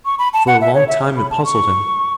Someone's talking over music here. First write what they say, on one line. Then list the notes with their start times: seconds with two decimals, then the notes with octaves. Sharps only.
For a long time it puzzled him.
0.05 C#6
0.19 B5
0.33 A5
0.47 F#5
0.61 E5
0.74 C#5
0.88 E5
1.17 B5
1.31 A5
1.45 C#6